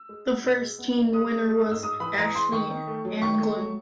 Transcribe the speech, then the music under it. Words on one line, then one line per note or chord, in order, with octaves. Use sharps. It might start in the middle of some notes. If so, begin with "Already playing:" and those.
The first teen winner was Ashley Anglin.
Already playing: E6
G#3
B3
B2
G#3
B3
B2
G#3 D#6
G#3
G#3
G#2
E6
G#2 D#6
E3 B5
E3 A#5
G#3 C6
D#3 C#6
D#3
A3
F#3
D#3 C#6
A3
F#3